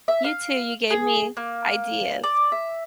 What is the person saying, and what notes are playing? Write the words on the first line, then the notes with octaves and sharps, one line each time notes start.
You too. You gave me ideas.
E5
F5
G#4
A#3
D5
E5